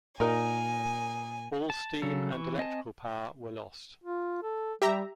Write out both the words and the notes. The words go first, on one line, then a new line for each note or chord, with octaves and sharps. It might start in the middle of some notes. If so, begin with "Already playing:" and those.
All steam and electrical power were lost.
A#2 D#4 A#4 G#5
A5
C#3 F#3 A4
E3 C#6
C4 D#5 G#5 A5
F4
A4
G3 G4 E5 A#5